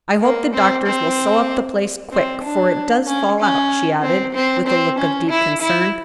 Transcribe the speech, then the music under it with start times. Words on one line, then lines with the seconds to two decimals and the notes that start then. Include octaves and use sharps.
"I hope the doctors will sew up the place quick 'fore it does fall out," she added, with a look of deep concern.
0.22 A#3
0.53 C4
0.86 C4
2.12 C4
2.43 D4
3.07 C#4
3.40 C#4
4.02 C4
4.34 C4
4.67 C4
4.98 C#4
5.30 E4
5.61 E4